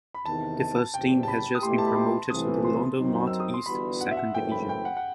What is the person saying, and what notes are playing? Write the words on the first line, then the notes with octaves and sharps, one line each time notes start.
The First Team has just been promoted to the London North East Second Division.
B5
E2 C3 D#3 A5
A5
F#1 E2 C3 G5
A5
B5
D#6
B2 A3 E4 G4 C6
A5
B5
C6
C2 C3 E3 A3 D#6
C6
F#2 F#3 C4 D#4
E6
D#6
C6
G1 G2 E3 B3 F#4 B5
F#5
E5
F#5
F#1 F#2 E3 A3 C4 G5
B5
G5
F#5
F#5